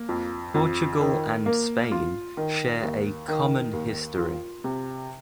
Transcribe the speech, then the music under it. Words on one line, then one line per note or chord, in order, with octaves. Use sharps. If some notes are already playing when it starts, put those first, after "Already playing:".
Portugal and Spain share a common history.
Already playing: A#3
F2
F2
D#3
A#3
F4
D#3
D#2
D#3
D#2
F4
C3